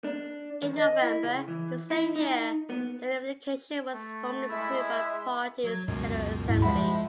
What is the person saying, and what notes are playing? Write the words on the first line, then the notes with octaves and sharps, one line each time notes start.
In November the same year, the unification was formally approved by party's general assembly.
D4
D#3
D#5
E4
C#3
E3
E4
D#4
B3
A3
G#3 E4 E5
F#3 G#6
C#2 F#2 B2
D#2 G#2 E4
F3 G#3 E5 F#5 B5